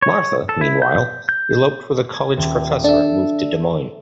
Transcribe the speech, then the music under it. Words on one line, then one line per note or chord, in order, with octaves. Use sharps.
Martha, meanwhile, eloped with a college professor and moved to Des Moines.
C#5
A4
E4
G6
G6
G#6
D#1
D4 A4 E5